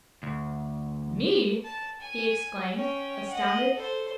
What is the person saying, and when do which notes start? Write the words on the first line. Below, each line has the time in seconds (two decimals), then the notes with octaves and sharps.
"Me!" he exclaimed, astounded.
0.23 D2
1.64 A5
2.01 G#5
2.73 C#4 G5
3.30 D#5 F#5
3.75 A4 C5